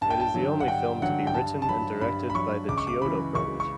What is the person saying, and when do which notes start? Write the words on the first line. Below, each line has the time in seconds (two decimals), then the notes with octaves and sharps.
It is the only film to be written and directed by the Chiodo Brothers.
0.01 G2 A5
0.10 G5
0.20 A5
0.35 D3 F#3
0.60 F#5
0.68 G2 G5
1.02 D3 F#3 F#5
1.27 G5
1.34 G2 A5
1.62 A5
1.69 F#3 B5
2.01 G2 B5
2.30 B5
2.35 F#3 C#6
2.69 C#2 D6
2.77 C#6
2.87 D6
3.02 C#3 E3 B5
3.35 C#2 C#6
3.60 C#6